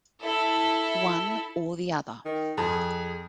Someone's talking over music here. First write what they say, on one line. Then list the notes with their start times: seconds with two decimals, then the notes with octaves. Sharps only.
One or the other.
0.23 E4 A4
2.25 D#3
2.57 F2 G#4